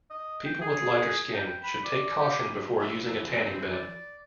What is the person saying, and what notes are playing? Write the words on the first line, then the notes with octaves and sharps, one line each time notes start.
People with lighter skin should take caution before using a tanning bed.
D#5
G5
G#4
G5
B5
D5
G4
F3 E4 E5
C4
D5